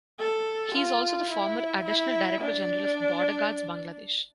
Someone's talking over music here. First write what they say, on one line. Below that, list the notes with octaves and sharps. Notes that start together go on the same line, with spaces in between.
He is also the former additional director general of Border Guards Bangladesh.
A4
F4
E4
E4
D4